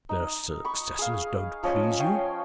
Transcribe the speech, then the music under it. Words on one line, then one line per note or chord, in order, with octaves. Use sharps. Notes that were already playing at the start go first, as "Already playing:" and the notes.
"Their successors don't please you?"
D#4
B5 C#6
G#4 F5
F3 C#4 C#5 D#5
C#5 F5 G5 G#5